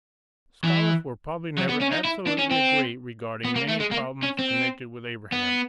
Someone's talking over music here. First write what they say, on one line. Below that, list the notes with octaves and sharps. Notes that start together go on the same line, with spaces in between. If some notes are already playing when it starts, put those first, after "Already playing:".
Scholars will probably never absolutely agree regarding many problems connected with Abraham.
E3
F#3
B3
C#4
D#4
E4
D4
C#4
C4
B3
A#3
A3
G#3
A#3
C#4
C4
B3